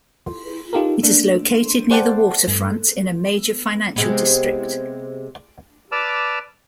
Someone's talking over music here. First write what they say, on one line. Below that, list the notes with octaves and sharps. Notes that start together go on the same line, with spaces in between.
It is located near the waterfront, in a major financial district.
D#4 F4 G4 A4 A#4
A3 A#3 D4
G#4 C5 D5 F#5 G5 A5
G2
C3 G#3 B3
B4 D5 A5 D6 E6 F6